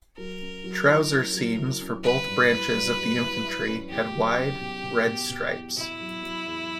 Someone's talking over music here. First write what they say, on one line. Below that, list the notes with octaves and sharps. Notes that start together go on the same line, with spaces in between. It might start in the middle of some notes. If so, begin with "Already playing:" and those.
Trouser seams for both branches of the infantry had wide red stripes.
F#3 A#4
C#4
F#3
E4
C#4
F#3
E4
C#4
F#3 B4
G2
E4
G2
F#3
E4
E4
C#4
E2 G4
F#3
C#4
B2
B2
B2
B2
E2
B2 E4
F#3
F#3
E2